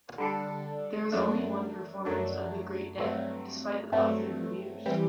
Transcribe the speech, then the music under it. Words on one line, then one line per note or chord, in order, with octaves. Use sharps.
There was only one performance of "The Great Day", despite the positive reviews.
D3 G3 D4 A4
F#2 F#3 A3 D4
F#2 F#3 A3 D4
G2 F#3 A3 C4
G2 F#3 A3 C4
E3 G3 C4 G4